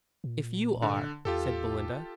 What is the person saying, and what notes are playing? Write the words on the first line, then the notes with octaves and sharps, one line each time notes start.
"If YOU are," said Belinda.
A#2
D3
E2 F4 G4 A4